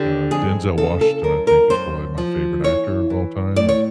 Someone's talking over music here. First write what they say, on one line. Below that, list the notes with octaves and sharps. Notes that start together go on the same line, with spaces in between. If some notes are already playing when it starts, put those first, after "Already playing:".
Uh, Denzel Washington, I think, is probably my favorite actor of all time, and
Already playing: D3 G4
F2 G#4
C#3 A4
A4
F#2 A#4
A#4
F#2 C5
F3
E3 C#5
E3
A2 D5
C#5